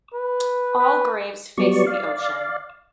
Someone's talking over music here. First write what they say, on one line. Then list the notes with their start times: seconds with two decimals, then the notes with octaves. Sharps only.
All graves face the ocean.
0.14 B4
0.79 B4
1.57 F#3 G3 B3 D5 C#6
1.86 D5 F5